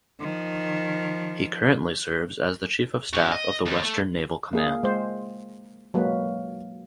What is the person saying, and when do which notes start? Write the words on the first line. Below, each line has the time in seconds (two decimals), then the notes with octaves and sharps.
He currently serves as the Chief of Staff of the Western Naval Command.
0.20 D#3 F3
3.13 C#4 F#4
3.32 D#5
3.66 D#2
3.83 A3
4.53 A#3 G#4
4.83 G#3 C5
5.94 F#3 G#3 A#3 B4